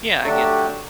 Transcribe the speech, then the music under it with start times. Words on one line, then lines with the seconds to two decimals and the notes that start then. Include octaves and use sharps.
Yeah, I get that.
0.23 F#3 A3 D4 G4